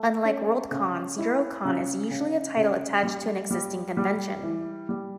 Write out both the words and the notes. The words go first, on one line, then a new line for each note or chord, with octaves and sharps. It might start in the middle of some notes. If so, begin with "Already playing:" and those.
Unlike Worldcons, Eurocon is usually a title attached to an existing convention.
Already playing: A3
C#4
C#3
E4
C#3
C#3
C#3
G3
G3
G3
E3
G3